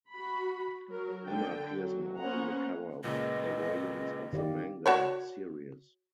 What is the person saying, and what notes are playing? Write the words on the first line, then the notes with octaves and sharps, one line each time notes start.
Emma appears on all the cover of the volumes of the manga series.
F#4 B5
F#3 A#4
D3 G5
F#3
A#3 B3 C#4 C5 F#5 A#5
C#2 A#2 C#3 B4 D#5
D#3 G4 D5 F5
F#4 C#5 D5